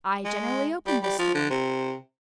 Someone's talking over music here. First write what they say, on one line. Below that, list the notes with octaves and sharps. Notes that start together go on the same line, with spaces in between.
I generally opened the store.
G#3
G3
G3
F3
D3
C3